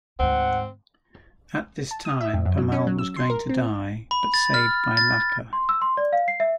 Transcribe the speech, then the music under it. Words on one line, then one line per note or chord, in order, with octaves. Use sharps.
At this time Pemal was going to die but saved by Lachha.
D2 G#2 C4 F#5
A5
D#6
E5
F2
F#2
F#3
C#4
F#3
E6
C6
A#4
C4
B5
A6
F6
A6
C6
E6
C6
D5
F5
C7
E5